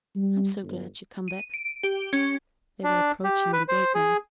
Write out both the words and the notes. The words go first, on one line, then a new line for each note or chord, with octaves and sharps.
"I'm so glad you come back." They were approaching the gate now.
G3
G1
D#7
D7
G4
C#4
D4
G4
B4
C5
G#4